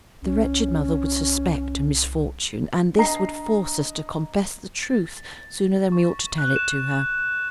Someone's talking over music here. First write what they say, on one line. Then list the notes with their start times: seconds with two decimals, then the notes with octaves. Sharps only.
The wretched mother would suspect a misfortune, and this would force us to confess the truth sooner than we ought to tell it to her.
0.23 C2 C#4
2.97 D4 D#5 A#5 C7
4.83 A6
5.92 C#6
6.38 F#6
6.56 E7